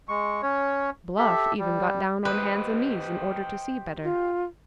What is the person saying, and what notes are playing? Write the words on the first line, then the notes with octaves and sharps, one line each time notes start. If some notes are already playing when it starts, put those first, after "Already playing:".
Bluff even got down on hands and knees in order to see better.
G#3 C#6
C#4 C#5
G4 A4 E5
G3
G4 B4 C5 D#5
F4